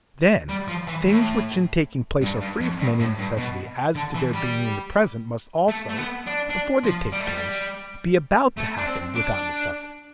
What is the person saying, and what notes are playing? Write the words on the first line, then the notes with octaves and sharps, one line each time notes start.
'Then, things which in taking place are free from any necessity as to their being in the present must also, before they take place, be about to happen without necessity.
G3
F3
E3
A2
G2
G2
F2
G2
A2
G2
B2
D3
E3
G3
A3
A3
B3
D4
D4
F3
G3
A3
G3
A3
D4
C4
D4